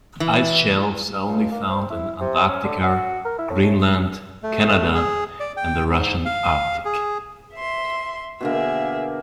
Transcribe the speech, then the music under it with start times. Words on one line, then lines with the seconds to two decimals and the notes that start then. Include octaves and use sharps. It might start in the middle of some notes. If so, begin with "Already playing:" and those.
Ice shelves are only found in Antarctica, Greenland, Canada and the Russian Arctic.
0.20 E3
1.28 C#2
1.51 A#3
1.69 C4
1.90 E4
2.21 C3
2.49 C#4
2.64 D3
2.84 F#4
3.25 A#4
3.39 E4
3.50 A2
3.63 A2
4.43 A3
4.94 G#4
5.40 D5
5.57 G5
5.88 G#2
6.25 F5
6.85 G#4
7.55 E5 C6
8.41 B2 D3 A#3 G#4 E5